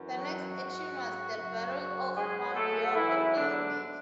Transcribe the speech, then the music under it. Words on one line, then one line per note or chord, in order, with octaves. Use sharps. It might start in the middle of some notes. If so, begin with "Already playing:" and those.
The next action was the Battle of Fombio in early May.
Already playing: F#2 E3
F#3 F#4
G#2 F#3
F#2 C#3 F#3
G#2 F#3 G#3 G#4
A3 A4
G#2 E3 F#3 E4
D3 D4